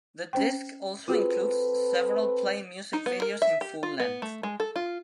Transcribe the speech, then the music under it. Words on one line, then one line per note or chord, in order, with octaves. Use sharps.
The disc also includes several Play music videos in full length.
C#4 C5 G5
C4 F4 F#4 G#4 A4 B4
D#4
B3
A#4
E5
G4
F4
B3
A3
G#3
A4
F4